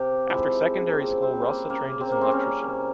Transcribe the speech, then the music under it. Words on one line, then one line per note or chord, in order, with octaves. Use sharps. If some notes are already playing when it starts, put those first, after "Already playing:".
After secondary school Rossa trained as an electrician.
Already playing: C3 G4 A#4
F3 G#3 E4
C#3
A#3
C4
G3 C4
A#3
C#3 A#3
C4
G3 A#3
C4
C#4
C3